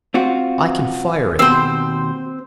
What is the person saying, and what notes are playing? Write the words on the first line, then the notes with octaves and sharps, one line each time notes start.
I can fire it.
C4 F4 F#4
D#2 B2 C4 C5